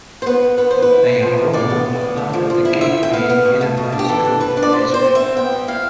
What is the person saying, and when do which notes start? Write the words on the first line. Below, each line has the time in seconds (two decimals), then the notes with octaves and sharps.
They are all a part of the Gateway Unified School District.
0.22 C5
0.26 B3 B4
0.42 B3
0.58 B3 B4
0.71 E3 C5
0.82 B4
0.90 E4
1.06 E4
1.22 F3
1.38 A2
1.53 A2 D5
1.70 B3
1.86 B3
2.01 A2
2.17 A3
2.33 F3
2.50 F3
2.65 E4
2.81 C3 E5
2.97 E3
3.03 G5
3.13 B3 F5
3.30 B3
3.45 B2
3.61 A3
3.77 B2
3.92 D4
3.99 G4
4.09 E3 A4
4.25 D4
4.40 G3 B4
4.57 D4
4.63 D5
4.72 A2 C5
4.89 C4 C5
5.04 C4
5.15 E5
5.20 C4
5.36 B3 G5
5.52 G3
5.68 E4 F5